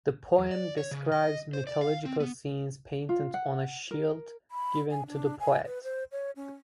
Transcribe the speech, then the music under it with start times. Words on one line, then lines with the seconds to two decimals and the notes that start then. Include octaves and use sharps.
The poem describes mythological scenes painted on a shield given to the poet.
0.39 E2
0.51 D5
0.77 C#5
0.91 C#3
1.12 D#5
1.53 C5
1.67 D5
1.81 F5
2.05 C4
2.20 B3
3.09 F4
3.34 F#5
3.91 A#4
4.51 B5
4.91 G#5
5.07 D4
5.40 G#5
5.66 B4
5.83 C5
6.12 C#5
6.36 C#4